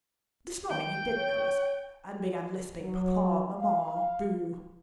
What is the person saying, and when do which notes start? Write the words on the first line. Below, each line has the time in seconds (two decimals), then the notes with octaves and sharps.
This morning he did know us, and began lisping papa, mamma, boo....
0.70 D#3 G5
1.16 C#5
2.81 F#3
3.57 F5